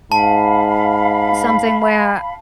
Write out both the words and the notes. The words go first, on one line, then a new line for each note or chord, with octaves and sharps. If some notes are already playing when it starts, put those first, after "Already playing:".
something where
G#2 F5 A5 B5